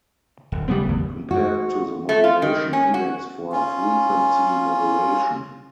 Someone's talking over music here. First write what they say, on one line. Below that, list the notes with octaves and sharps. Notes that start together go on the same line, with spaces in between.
Compare to the modulation index for frequency modulation.
D1
C#3 F#3 G3 A3 B3 C4
G#1 E2
F#4
A3
F4
D#3
C#4
F#4
C#4 F4